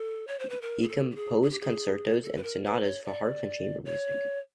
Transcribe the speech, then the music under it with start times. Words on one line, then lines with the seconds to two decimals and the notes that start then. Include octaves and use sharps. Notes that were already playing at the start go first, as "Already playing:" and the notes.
He composed concertos and sonatas for harp and chamber music.
Already playing: A4
0.27 C#5
0.39 C5
0.50 B4
0.62 A#4
0.83 G#4
0.89 A4
1.11 G4
1.16 G#4
1.42 G#4
1.51 G4
1.61 G#4
2.23 A4
2.36 B4
2.43 A#4
2.64 B4
2.84 C#5
3.04 D5
3.85 C#5